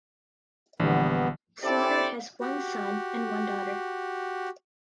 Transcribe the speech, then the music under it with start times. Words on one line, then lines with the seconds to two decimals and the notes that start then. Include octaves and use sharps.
Slaughter has one son and one daughter.
0.80 A#1 D3 E3 G3 B3
1.63 C4 D4 E4 G4 A4 D5
2.40 F#4 G4